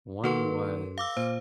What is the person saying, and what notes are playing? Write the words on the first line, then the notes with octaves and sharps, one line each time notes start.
one was,
D#3 A#3 F#4 A4 B4 C6
F5 D6 E6
A#2 C5